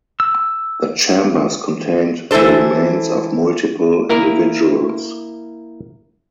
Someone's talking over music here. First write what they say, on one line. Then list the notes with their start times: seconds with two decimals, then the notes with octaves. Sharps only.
The chambers contained the remains of multiple individuals.
0.20 E6
2.31 E3 E4 G4 A4 C5
4.09 A#3 E4 A#4